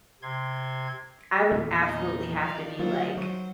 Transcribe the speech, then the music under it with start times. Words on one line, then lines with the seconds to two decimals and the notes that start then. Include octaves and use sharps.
I would absolutely have to be, like
0.22 C3 C6 G#6
1.51 E2 A#2 D#3
1.83 D#3 F3 D#4 D#5
2.42 D5 F5
2.79 D3 F#3 F4 C5 C#5 A6
3.17 F#3 C5 C#5 C#6